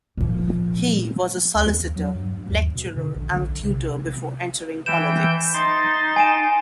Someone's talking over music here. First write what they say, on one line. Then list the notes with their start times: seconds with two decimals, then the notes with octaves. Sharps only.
He was a solicitor, lecturer and tutor before entering politics.
0.17 A#2 F3
1.55 D2
1.67 E2
1.95 F#3
2.15 G2
2.32 G2
2.49 D#2
2.75 B2
2.96 D3
3.15 A#1
3.31 D3
3.49 B1
3.64 C3
4.86 E3 G5 G6 E7
5.54 D#4 C6 A6
6.16 G#5 D7 E7